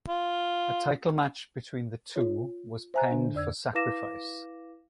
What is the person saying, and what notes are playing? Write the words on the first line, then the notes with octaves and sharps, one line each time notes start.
A title match between the two was penned for Sacrifice.
F4
F4 C#5
C5 E5 G#5 A#5 F#6
D3 D4
F2 D5 E6 G#6
E4 B4 F5 D6 A#6 E7